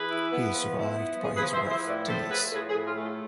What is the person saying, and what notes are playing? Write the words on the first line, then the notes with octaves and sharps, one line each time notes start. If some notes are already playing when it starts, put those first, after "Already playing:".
He is survived by his wife Denise.
Already playing: E3 G#4 B4
E4
B3
F3
E4
B3
F3 G#4
G#4 B4
F3
C5 E5
E4
C5 E5
A2 B4 D5
A3 A4 C5
F3 G#4 B4
A2 G#4 B4
G#4
A2
F4
A3 F4